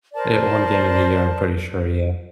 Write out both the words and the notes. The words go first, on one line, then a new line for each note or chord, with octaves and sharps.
It won Game of the Year, I'm pretty sure, yeah.
A#4 C5 D5 A5